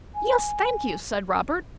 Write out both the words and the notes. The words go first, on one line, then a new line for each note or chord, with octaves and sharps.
'Yes, thank you,' said Robert.
G#5